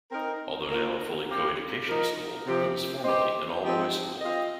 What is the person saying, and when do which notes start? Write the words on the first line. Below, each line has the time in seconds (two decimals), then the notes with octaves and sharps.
Although now a fully co-educational school, it was formerly an all-boys school.
0.10 C4 D#4 A#4
0.69 A#3 F4 A#4
1.28 C4 G4 A#4 F5
1.86 F3 D#4 A#4
2.45 C3 F3 C4 G4 C5
3.04 C4 G4 C5 D#5
3.63 F3 C4 D#4 G4 D#5
4.21 C4 F4 D#5